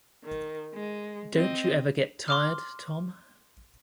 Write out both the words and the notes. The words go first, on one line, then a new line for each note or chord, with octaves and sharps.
Don't you ever get tired, Tom?
D#3
G#3
C4 D#5
C6 D6 F6